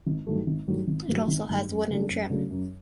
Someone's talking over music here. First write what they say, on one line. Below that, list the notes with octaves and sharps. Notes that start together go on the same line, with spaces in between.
It also has wooden trim.
G#1
G2 D#3 F#3 A3
G#1
G2 D#3 F#3 A3
G#1
G2 D#3 F#3 A3
G#1
G2 D#3 F#3 A3
F#2
C#3 F#3 A3 D4
F#2
C#3 F#3 A3 D4
F#2